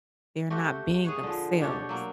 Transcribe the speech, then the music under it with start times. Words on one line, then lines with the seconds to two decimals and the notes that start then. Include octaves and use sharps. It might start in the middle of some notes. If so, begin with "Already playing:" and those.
they're not being themselves,
0.50 A3 C4 F#4 G4
1.04 G#4 C#5 F#5
1.23 D3 F3
1.61 B2 D4 G4 C#5
1.89 F#3 A#3